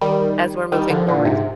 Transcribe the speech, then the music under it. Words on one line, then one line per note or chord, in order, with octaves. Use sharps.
as we're moving forward.
D#3 G3
D#3 G3
D3 F3
A#2 D3
G#2 C3